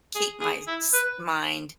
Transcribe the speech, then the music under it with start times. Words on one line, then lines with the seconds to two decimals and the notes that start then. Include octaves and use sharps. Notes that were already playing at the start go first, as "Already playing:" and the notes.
keep my s mind
0.15 G#4
0.41 G#4
0.67 E4
0.93 B4